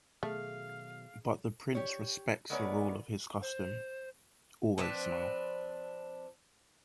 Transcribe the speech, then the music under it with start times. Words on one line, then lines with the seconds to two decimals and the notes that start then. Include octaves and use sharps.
But the prince respects the rule of his custom: always smile.
0.23 B2 D#3 F#3 A3 G#4 F5 F6
1.75 G4 C#5
2.50 G#3 A3 B3 A#4 C#5 D5
3.42 C5
4.78 F3 C4 D4 B4